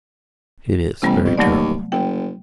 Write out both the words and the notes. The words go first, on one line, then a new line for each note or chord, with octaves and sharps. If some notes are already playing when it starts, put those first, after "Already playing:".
It is very terrible....
A1 C3 G3 B3
F2
D#2 F#3 A3 D5
F#1 G5